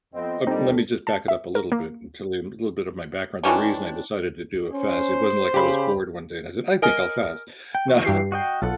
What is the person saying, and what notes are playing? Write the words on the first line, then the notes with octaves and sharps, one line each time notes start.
uh let me just back it up a little bit to leave a little bit of my background, the reason I decided to do a fast, it wasn't like I was bored one day and I said, "I think I'll fast." No
F2 B3 C4 D#5
A#2 G3 C4 D4 D#4 A4
A5
E5
A#4
A#3
D#3 E3 C#4 D4
C#4 C5
C#3 G4 B5
A#4 D#5 G#5
G5
E3 F#4
G2 G4 C7
F#4 D#5 G5
B1 F4 A4 F#5